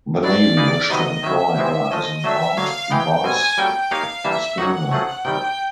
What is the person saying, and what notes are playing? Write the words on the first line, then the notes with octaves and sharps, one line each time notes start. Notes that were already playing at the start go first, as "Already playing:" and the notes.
The Navy wished to employ her as an armed advice schooner.
A2 F#3 B3 D4 D5
A#3 D#4 G#4 B4
C3 D#3 F#3 B3 D#4 D#5
D#3 F#3 B3 E5
C3 E3 G#3 C4
F3 A3 C#4 D#5
F#3 A3 D4 E5
D3 F#3 A#3 F5
E3 G#3 B3 G5
B2 G3 C4 G#5
G3 A#3 C#4 F#4 A4 G5
A#3 D#4 G4 A#4 C#5 F5
E3 G3 A#3 D4 G4 E5
F#3 A#3 D#4 F#4 F#5
F#3 A3 C4 F4 G#4
C3 D#3 G3 G5